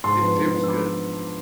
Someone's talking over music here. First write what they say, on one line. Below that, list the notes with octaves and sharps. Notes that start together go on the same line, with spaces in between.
It feels good.
G#2 A5 C6
F3 B3 D4
G#2
F3 B3 D4
E6
B5 D6